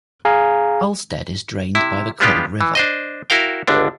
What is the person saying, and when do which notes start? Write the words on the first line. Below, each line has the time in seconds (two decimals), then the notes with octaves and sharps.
Alstead is drained by the Cold River.
0.25 G#4 F5 G#5 A#5
1.75 C3 E4
2.20 G3 G#3 B3 D4 F4 G4
2.61 E3
2.75 D4 C5 D#5
3.30 E4 F#4 A#4 F5 G5
3.67 G1 C#2 D3 D4